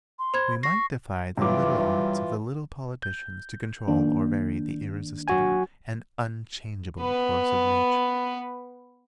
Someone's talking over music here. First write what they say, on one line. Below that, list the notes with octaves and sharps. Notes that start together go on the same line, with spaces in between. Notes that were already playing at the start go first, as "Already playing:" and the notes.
We might defy the little arts of the little politicians to control or vary the irresistible and unchangeable course of nature.
C6
C5 B5 G#6
C#6 A#6 C7
G2 E3 F#3 F4 D6
G6
D#3 A#3 D4
F#3 F#4 G#5
B3 B4